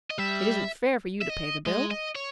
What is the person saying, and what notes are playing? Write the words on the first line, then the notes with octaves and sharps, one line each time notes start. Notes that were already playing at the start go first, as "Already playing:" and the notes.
It isn't fair for you to pay the bill.
D#5
G3 E5
E5
D#5
G#3 D#5
D#5
C#5